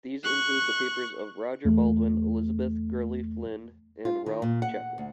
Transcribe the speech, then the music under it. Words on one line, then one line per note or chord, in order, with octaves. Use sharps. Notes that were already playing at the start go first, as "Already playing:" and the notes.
These include the papers of Roger Baldwin, Elizabeth Gurley Flynn, and Ralph Chaplin.
C#6 F#6
E2 A3
F4
D#3
A#2
F#5
D2